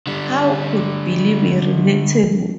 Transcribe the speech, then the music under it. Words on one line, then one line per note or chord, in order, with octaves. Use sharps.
How could Billy be relatable?
D3 G3